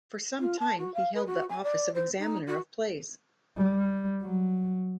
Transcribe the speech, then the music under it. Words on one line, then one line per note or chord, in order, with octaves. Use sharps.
For some time he held the office of examiner of plays.
F4
A5
F#4
F5
B4
F#4
G#5
D5
C5
D#4
F#4
G3
F#3